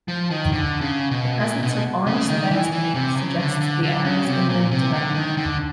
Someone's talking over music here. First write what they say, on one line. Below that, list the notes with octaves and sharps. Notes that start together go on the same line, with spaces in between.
The presence of orange surveyor's tape suggests the area's imminent development.
F3
D#3
D3
C#3
B2
A#2
B2
C#3
D#3
E3
E3
C3
C#3
D3
D3
D3
C#3
C3
A#2
C3
D3
D#3
D3